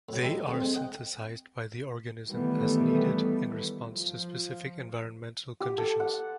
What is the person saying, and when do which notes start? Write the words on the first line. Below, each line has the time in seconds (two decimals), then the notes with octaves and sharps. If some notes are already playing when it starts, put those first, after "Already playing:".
They are synthesized by the organism as needed, in response to specific environmental conditions.
0.09 A2 F#3
0.22 G3 G#3 D#4 E4 G4 A4
0.47 D3 G3 A3 C4
0.60 G#3 A3 C4
0.74 D#5 F#5 G5
2.28 D#3 E3 G3 A3 B3
3.91 F3
5.60 G4
5.78 A4
6.00 F#5